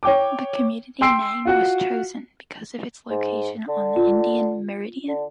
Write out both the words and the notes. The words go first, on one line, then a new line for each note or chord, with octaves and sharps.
The community name was chosen because of its location on the Indian Meridian.
C#5 G5 D6
G5 C6 E6 C7 D7
F4 F#4 F#5
G#2
D3
F4
D3